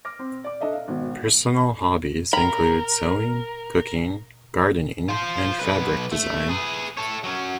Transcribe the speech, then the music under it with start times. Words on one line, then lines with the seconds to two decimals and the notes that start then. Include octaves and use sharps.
Personal hobbies include sewing, cooking, gardening, and fabric design.
0.05 D6 F6 A#6
0.19 C4
0.44 D5 D6
0.61 D4 A4 D#5 E5
0.73 F5
0.88 G#1 B2
2.33 A#4 A#5 B5
5.09 F4 C5
5.59 B1 B4
6.12 A3
6.49 G#4 B4
6.97 A4 C#5
7.24 F#3 C#4